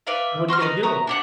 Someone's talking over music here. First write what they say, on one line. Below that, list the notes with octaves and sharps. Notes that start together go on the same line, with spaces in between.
So what are you gonna give 'em?
B4 D5 E5 F5
F#4 C6 D6 F6
B4 D#5 A#5
F#4 E5 A#5 D#6
D4 G4 F#5